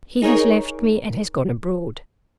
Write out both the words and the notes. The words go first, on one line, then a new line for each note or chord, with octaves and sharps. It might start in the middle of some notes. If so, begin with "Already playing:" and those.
"He has left me, and has gone abroad."
D#4 G#4 A#4 C#5